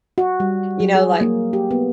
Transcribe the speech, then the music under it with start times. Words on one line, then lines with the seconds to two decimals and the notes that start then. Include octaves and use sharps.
you know, like
0.18 F#4
0.40 G3
0.80 F#3
0.95 G#4
1.21 A#3
1.53 G4
1.71 B3